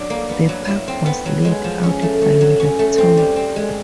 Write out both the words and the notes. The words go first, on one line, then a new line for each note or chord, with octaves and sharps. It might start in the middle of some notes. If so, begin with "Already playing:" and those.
The park was laid out by Repton.
Already playing: F#3 D4
A#3
B3
F#3
E4
C4
B3
F#3
G#3
F3
C#4
A3
A3
F#3
C#4
A3
C4
G3
C4
G#3